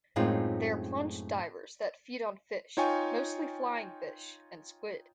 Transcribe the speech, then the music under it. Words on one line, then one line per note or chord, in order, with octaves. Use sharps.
They are plunge-divers that feed on fish, mostly flying fish, and squid.
F#2 A2 G#3 C4 D#4 F4
D#4 F4 C#5 G5 G#5 C#6